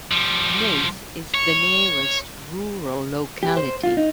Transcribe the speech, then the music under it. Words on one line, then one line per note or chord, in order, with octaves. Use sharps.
Niz is the nearest rural locality.
F3 G3
C#5
G4
C5
F4
D#4